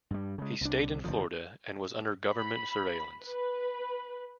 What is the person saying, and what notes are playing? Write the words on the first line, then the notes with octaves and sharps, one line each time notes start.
He stayed in Florida and was under government surveillance.
G2 G3
C#3 G#3
C2 D4
F1 D3 F3
B5
B4